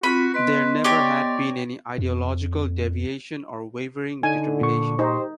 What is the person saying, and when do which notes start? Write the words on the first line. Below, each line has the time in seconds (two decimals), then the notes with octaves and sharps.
There never had been any ideological deviation or wavering determination.
0.03 C4 F4 F#4 B5 C#6
0.34 B3 B4 D#5 C6
0.84 G4 C#5 D5 A#5
1.98 F2
4.23 D3 D#4 G#5
4.61 A#2 C#6
4.99 D#4 G4 C5